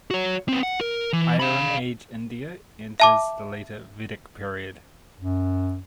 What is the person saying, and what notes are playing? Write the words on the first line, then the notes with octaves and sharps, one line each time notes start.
Iron Age India enters the later Vedic period.
F#4 C#5
B3 C4
F#5
A#4
E3
F5 B5
E5 A5 D6
F#2